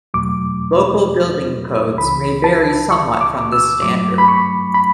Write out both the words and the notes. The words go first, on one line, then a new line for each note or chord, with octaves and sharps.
Local building codes may vary somewhat from this standard.
E2 B2 F#3 A3 D6
C#2 C#3 E3 B5
A5
C#6
D6
E6
G2 F#3 A3 D6
B5
C#6
B5